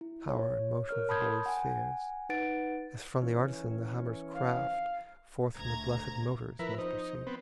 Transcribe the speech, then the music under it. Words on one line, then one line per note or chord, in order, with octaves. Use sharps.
The power and motion of the holy spheres, As from the artisan the hammer's craft, Forth from the blessed motors must proceed.
E4
C#5
A#4 C#5 F6
A5 B5 C6 D#6 G6 G#6
F#5 G#5
D#4 B4 F#5 A6 D7
E3 C#4
F5
D2 A#5 G#6
F3 E4 A#4 B4
D#4 C5
B3 C4